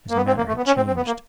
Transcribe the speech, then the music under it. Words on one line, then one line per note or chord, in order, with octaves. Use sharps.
His manner had changed.
A#3
B3
C4
A#3
A3
B3
C#4
C4
C4
B3
A#3